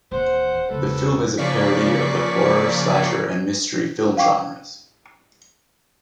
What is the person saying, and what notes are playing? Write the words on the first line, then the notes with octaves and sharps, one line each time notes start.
The film is a parody of the horror, slasher, and mystery film genres.
D#1 E3 C5 F#5
E1 C#3 A4 B4
C#3 F3 A#3 D5 C#6 B6
F5 G5 C#6 D6